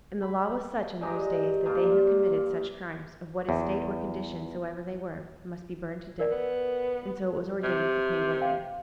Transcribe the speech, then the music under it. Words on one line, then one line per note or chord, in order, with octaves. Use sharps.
And the law was such in those days that they who committed such crimes, of what estate or condition soever they were, must be burned to death, and so it was ordained for Queen Guenever.
B5
G2 G#3 G4 A#5
G2 A#3 F4
E2
A#4 D5
B3
C3
F5 G5